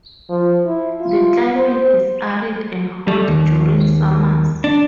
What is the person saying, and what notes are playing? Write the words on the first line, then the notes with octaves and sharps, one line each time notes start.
The climate is arid and hot during summers.
F3
E4
F4
C5
G3
D#2
D4